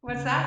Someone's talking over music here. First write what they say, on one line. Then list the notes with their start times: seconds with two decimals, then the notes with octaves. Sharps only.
What's that?
0.08 C#3